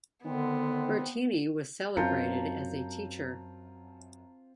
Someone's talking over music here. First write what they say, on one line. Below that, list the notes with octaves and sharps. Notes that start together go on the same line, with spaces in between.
Bertini was celebrated as a teacher.
G#1 D3 D#3 B3 C4 D4
F#2 C4 F4 A5 A#5 G6 C#7